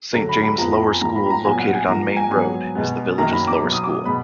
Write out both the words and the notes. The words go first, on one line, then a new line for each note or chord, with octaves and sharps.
Saint James' Lower School, located on Main Road, is the village's lower school.
D2 D3 F#3 A#5
B5
B5
F2 F3 B3 A#5
B5
G#5
G#2 F3 A#3 A#5
B5
B5
A#5
A#2 F#3 B3 G#5
F#5
G#5
G#2 F3 A#3 A#5
G#5
G#2 F#3 B3 G#5
B2 G#3 B3
F#2 D#3 F#3 A#3 A#5
B5
D6
B2 F#3 B3
D#6
D6
B2 G#3 B3 B5